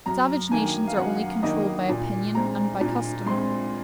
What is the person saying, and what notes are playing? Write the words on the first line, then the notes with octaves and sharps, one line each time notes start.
Savage nations are only controlled by opinion and by custom.
F#2 A#5
D#3 A#3 G#5
F5
F#2 F#5
D#3 A#3 D#5
A#2
G#3 C4 A#5
A#2
G#3 C4 C6